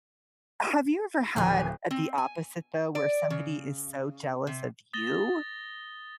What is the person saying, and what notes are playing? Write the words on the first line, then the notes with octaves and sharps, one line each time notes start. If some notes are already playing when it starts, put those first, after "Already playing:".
Have you ever had, uh, the opposite, though, where somebody is so jealous of you?
D1 D#3 F3 G#5
C4
G#5
D5
C#3
C3
D#6 A6 A#6 G7